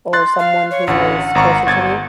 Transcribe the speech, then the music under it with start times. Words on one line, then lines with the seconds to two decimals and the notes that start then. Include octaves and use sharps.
or someone who is closer to me,
0.13 C6 F#6 A6
0.39 F5
0.71 C#5
0.88 A1 D2 F#5
1.35 G#1 A#5 C#6
1.67 G1 G#6 A6